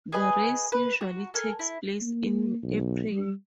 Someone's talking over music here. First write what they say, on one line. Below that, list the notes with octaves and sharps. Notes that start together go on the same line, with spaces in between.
The race usually takes place in April.
G#4 B4 D#5 G#5
B4
F#4
A4 A#4 G#5
E4
A#3
B1
G3